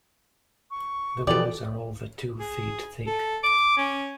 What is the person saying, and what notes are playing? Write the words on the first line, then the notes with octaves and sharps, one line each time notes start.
The walls are over two feet thick.
C#6
B2 E3 F3 B3 G4 A4 D5
G#4
A4
D6
C#4